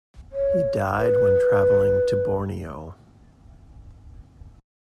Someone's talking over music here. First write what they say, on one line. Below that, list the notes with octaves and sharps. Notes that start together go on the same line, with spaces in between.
He died when travelling to Borneo.
C#5
B4